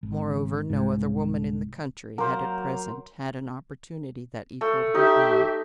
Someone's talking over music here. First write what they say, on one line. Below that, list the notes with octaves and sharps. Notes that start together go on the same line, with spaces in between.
Moreover, no other woman in the country had at present had an opportunity that equaled her own.
G#1
C2 G#2
F#3 A#3 A#4 C5
A3
D#4 G4 E5